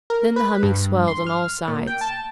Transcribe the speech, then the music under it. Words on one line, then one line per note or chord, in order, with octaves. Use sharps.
Then the humming swelled on all sides.
A#4
B4
G2
C6
F6
A#2
G5
A5